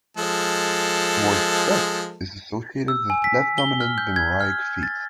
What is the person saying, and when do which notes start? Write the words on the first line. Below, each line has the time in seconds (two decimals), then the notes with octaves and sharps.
Word stress is associated with left-dominant bimoraic feet.
0.17 F3 G#3 A4
2.88 E6
3.10 G#5
3.24 B6
3.58 G7
3.81 F6
3.98 G6
4.16 G#6
4.41 F6
4.83 A6